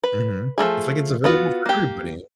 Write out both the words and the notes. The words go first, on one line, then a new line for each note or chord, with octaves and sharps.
Mhm. It's like it's available for everybody.
B4
F3 G#3 A3 G#4
B3 F4 F#4
A#3 G4